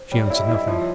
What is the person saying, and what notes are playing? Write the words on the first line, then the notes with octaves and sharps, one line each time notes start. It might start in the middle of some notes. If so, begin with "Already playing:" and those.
She answered nothing.
Already playing: C5
G3 C#5
D5
E4
D#5
E4
D#5
F3 C#5